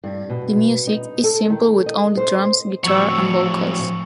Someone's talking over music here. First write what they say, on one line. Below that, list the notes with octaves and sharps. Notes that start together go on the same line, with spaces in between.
The music is simple with only drums, guitar and vocals.
G2
B2
D#4
A4
D#3
D#5
C5
A2 F3 F#3 C#6 E6